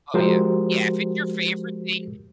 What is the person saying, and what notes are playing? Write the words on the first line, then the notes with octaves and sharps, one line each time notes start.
Oh, yeah. Yeah. If it's your favorite thing
F3 G#3 F#4 G4 A#4 C5